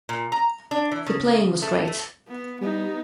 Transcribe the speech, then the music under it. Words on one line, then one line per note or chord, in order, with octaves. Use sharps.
The playing was great.
A#2
A#5
D4
E3
C#3
A3
A3
B3
G3 B3 D#4